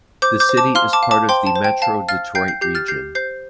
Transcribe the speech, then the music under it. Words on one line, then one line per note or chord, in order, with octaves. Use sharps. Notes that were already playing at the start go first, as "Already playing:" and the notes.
The city is part of the Metro Detroit region.
C5 D6 G6
D6 G6
C5
A5 D6
F5 C6 F6
A5 D6
F5
A5 D6
C5 G5 C6
A5
C5
G5
F5 A5
F5 F6 A6
G5 G6 C7
G6 C7
G4 G6 C7
F6 A6
G4 G6 C7
C5 G6 C7